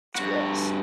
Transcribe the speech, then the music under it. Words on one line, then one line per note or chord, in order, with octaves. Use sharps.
it's gross.
G2 F#4